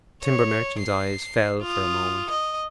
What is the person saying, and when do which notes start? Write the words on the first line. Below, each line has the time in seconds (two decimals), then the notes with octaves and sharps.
The timber-merchant's eyes fell for a moment.
0.23 C#5
0.79 C7
1.62 F4 D#6
2.30 D#5